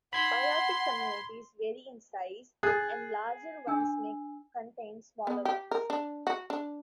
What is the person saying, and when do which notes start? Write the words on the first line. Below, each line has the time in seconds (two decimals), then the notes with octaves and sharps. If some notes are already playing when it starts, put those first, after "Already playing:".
Biotic communities vary in size, and larger ones may contain smaller ones.
0.13 F#5 B5 C6 G#6 B6
2.63 G#4 F#6 A6
3.67 D4 G#5 E6
5.27 B3
5.45 G4
5.71 A#4
5.90 D4
6.27 F#4
6.50 D4